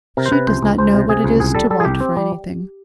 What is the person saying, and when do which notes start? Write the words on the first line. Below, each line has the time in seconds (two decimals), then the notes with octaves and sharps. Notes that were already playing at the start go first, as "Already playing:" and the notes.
"She does not know what it is to want for anything."
0.17 C3 A#4
0.26 C5
0.32 C3 B4
0.47 C#2 C5
0.63 C#2
0.78 C#2 C5
0.94 C3
1.09 C3 G#4
1.24 C#2
1.40 C2 G#4
1.55 G3 A4
1.70 G3 A4
1.80 G#4
1.85 C2 G4
2.01 C4
2.17 G3